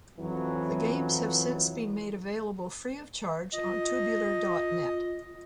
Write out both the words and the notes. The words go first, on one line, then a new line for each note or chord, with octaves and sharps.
The games have since been made available free of charge on Tubular dot net.
F2 E3 F#3
F4 D#5